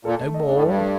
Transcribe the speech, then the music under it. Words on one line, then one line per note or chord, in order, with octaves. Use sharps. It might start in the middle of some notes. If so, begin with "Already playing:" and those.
No more?
A#2 A4
A3
D#5
D4
A2
G2 A4
A3